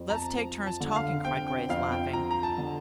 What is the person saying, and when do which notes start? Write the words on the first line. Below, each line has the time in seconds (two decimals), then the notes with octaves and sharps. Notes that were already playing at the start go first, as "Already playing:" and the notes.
"Let's take turns talking," cried Grace, laughing.
Already playing: F2 C4
0.10 A#5
0.15 A5
0.37 F3
0.66 A5
0.80 D3
0.96 F5
1.25 C4 G5
1.48 G5
1.69 F2 F5
1.92 G5
2.13 F3 A#5
2.31 A#5
2.43 A5
2.58 D3